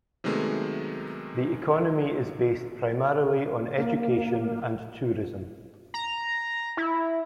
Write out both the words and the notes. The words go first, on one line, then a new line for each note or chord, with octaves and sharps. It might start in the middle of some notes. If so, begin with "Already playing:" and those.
The economy is based primarily on education and tourism.
C3 D#3 F#3 G#3 A3 B3
A#3
A#5
E4